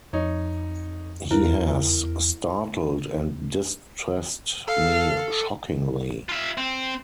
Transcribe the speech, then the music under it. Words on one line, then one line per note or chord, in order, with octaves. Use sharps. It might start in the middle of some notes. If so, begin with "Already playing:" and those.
He has startled and distressed me shockingly!
F2 D#4 C#5
E2 E4 A#4 C5
A4 F5
F4 E5
C4